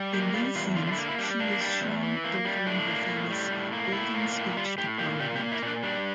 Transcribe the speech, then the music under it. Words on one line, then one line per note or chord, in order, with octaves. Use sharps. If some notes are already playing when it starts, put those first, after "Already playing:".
In these scenes, she is shown delivering her famous Golden Speech to Parliament.
Already playing: G3
A#3 G4
G3 F4
E2 F4
D3 F4
F4
E4
A#3
E4
G3 D4
A#3 D4
G3
E2
E3
A#3
G3
A2 D4
A#3
A2
G3
A2
A#3
A2 E4
A#3
A2
G3 F4
A2 G4
A#3 G4
A#2 G4
G4
A#3
E4
A#2 D4
G3 D4